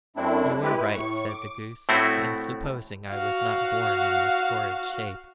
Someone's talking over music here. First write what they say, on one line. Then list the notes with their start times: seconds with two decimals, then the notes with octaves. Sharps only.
'You are right,' said the goose, 'in supposing I was not born in this horrid shape.
0.16 F#2 A3 C4 D4 E4
0.62 G#3 E4 G4 B4
0.76 E4
0.94 A2 C#6
1.28 D6
1.89 A2 A3 C4 E4 F#4
3.09 F#4 F5